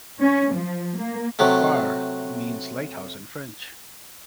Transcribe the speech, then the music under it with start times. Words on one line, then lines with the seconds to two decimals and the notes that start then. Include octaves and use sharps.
"Phare" means "lighthouse" in French.
0.20 C#4
0.54 F3
0.98 A#3
1.39 C3 F#3 A3